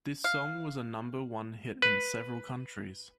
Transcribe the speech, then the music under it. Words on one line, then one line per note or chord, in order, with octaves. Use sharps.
This song was a number one hit in several countries.
F5
B4